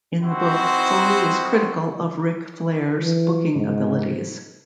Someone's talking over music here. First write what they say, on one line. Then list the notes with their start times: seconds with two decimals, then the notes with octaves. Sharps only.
In the book, Foley is critical of Ric Flair's booking abilities.
0.23 C4 D#4 E4 F#4 C5
3.02 E3
3.55 G#2